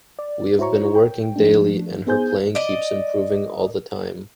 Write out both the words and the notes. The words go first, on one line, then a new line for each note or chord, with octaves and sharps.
We have been working daily and her playing keeps improving all the time.
D5
E4 F#4 C5 C#5 A#5 C#6
G5
F3 A3 D4
B3 D#4 G#4 C5 G#5 G6
D5 D#5